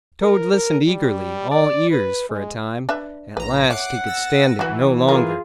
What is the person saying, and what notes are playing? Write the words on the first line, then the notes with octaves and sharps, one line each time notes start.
Toad listened eagerly, all ears, for a time; at last he could stand it no longer.
A#4
A#4
G3
D5
B4
G#3
D4 B4 E5
A#1 B4 A#5
C#5 E5 F#5 D6 F#6 C7
E6 A6 A#6
E3 F#3 F#4
F4 G#4 A#4